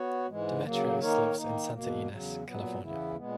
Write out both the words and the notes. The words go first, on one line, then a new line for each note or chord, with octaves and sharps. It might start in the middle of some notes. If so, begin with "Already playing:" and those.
Demetrios lives in Santa Ynez, California.
Already playing: B3 F#4 C#5
G#2 E3 G#3
C#3 F#3 A#3
D#3 A#3 D#4 A#4 C#5
D#3 A#3 D#4
E2 B2 A#3
E2 C#3 F#3
A#2 F#3 B3
E2 C#3 E3 B3 E4
A#2 G#3 B3